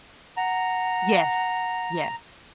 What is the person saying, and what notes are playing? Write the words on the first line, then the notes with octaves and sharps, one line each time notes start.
Yes, yes.
F#5 A#5